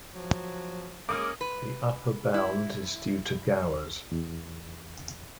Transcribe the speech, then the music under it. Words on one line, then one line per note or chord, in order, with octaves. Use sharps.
The upper bound is due to Gowers.
F3 F#3
G#3 A#3 C#4 D6 D#6 F6
B4
E4
E2